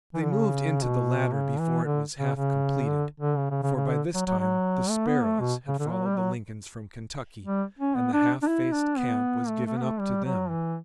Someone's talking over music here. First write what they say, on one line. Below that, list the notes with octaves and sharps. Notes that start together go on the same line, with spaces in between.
They moved into the latter before it was half completed; for by this time the Sparrows had followed the Lincolns from Kentucky, and the half-faced camp was given up to them.
E3
D3
C#3
B2
C#3
E3
D3
C#3
C#3
D3
D3
C#3
C#3
C#3
C#3
D3
F#3
F#3
F#3
A3
B3
A3
B2
C#3
D3
F#3
G3
F#3
G3
C#4
B3
D4
D4
E4
D4
B3
A3
A3
B3
A3
G3
F#3
E3